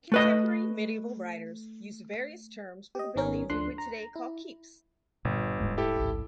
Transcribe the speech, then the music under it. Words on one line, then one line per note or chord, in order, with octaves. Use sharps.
Contemporary medieval writers used various terms for the buildings we would today call keeps.
A3 B4 D#5
G4 D#5
G#1 D#3 B3 C#4 A#4 C#5
D2 D3 F3 D4 C6 F#6
A#5
E4
G1 A#2
D#1 G#2 G#3
E4 G4 A4
A1 D2 G#2